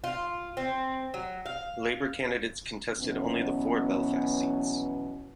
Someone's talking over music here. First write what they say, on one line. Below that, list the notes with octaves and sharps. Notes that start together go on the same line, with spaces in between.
Labour candidates contested only the four Belfast seats.
F4
C4
F#3
F5
B2 E3 F#3 B3 C#4